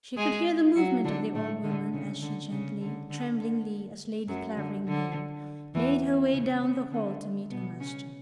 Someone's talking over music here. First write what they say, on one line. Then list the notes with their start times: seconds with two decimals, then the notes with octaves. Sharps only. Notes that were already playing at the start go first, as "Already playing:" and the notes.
She could hear the movement of the old woman as she gently, tremblingly, as Lady Clavering knew, made her way down the hall to meet her master.
0.17 G#3 G#4
0.76 F#3 F#4
1.04 D3 D4
1.35 A2 A3
1.63 D3
1.93 C#3
2.22 D3
2.52 C#3
2.81 D3
3.10 D3
3.40 D3
4.28 F#2 F#3
4.57 D3
4.87 D3
5.75 E2 E3
6.33 C#3
6.62 C#3
6.92 D3
7.51 B2 B3
7.80 C#3 C#4